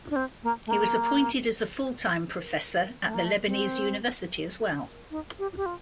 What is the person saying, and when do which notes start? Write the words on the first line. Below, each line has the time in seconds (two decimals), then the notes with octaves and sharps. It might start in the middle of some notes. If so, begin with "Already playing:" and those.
He was appointed as the full time professor at the Lebanese University as well.
0.10 D4
0.16 C4
0.43 A#3
0.66 A3
0.71 A#3
3.05 A3
3.14 A#3
3.24 A3
3.47 C4
5.11 D#4
5.39 G4
5.57 G4
5.66 F4